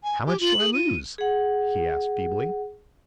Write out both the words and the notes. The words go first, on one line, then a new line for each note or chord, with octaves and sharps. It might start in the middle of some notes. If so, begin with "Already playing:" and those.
'How much do I lose?' he asked feebly.
G#5
G4 G#5
F4 F#7
G#4
F4 D#7
G#4 F#5